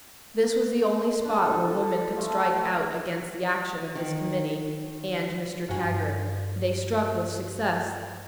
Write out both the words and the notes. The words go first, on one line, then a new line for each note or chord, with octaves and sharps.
This was the only spot where women could strike out against the action of this committee-and Mr. Taggart. They struck with success.
D4 A4 D5
F3 A3
D#3
G2 F#4 F#5 G#5 G#6